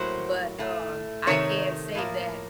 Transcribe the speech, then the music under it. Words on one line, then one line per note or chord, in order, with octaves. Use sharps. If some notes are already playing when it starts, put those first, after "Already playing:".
but, um, I can say that,
Already playing: A2 F#3 A#3 C5
A2 A3
C3 D#3 A3 C#5
A2 F3 A#3